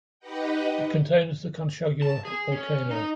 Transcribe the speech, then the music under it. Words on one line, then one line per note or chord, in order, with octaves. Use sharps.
It contains the Conchagua volcano.
D#4 G4 B4 D#5 F#5 G5
A5
G#4
C#4
D#4